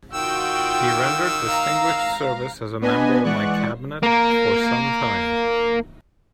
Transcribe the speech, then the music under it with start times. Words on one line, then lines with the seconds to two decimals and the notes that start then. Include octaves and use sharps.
He rendered distinguished service as a member of my Cabinet for sometime.
0.13 D#3 F4 F#4 G5 E6
1.47 F5 A#5
2.81 B3 D4 B4 D#5 G#5
3.24 E3 G#3 D5 F#5 C#6 F#6
4.03 A#3 A#4